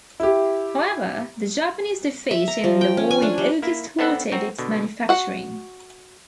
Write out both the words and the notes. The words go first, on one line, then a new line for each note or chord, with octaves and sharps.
However, the Japanese defeat in the war in August halted its manufacturing.
E4 G4
E5
A#5
F3
G5
C#4
G#5
D4
G3
A#3 E4
B3 C4 D4 A4 B4 F#5
C4 F#4 A#5
B2 D3
F#4 F#5